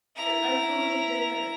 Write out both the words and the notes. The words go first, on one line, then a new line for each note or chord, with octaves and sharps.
I'm totally different.
E4 A#5